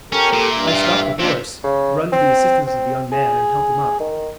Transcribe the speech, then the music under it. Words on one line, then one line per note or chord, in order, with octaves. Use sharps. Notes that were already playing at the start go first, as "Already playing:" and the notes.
I stop the horse, run to the assistance of the young man and help him up.
C#4 G4 A4 A#4
A#2
G2 E5
A#2 F4
C3 A#3 D4 D#4
C#3
C4
C4
G#4
D#3